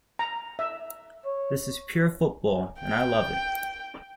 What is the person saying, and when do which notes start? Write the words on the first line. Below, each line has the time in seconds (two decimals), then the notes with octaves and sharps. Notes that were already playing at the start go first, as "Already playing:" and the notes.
This is pure football and I love it.
0.19 A#5
0.59 E5
1.25 C#5
2.80 G5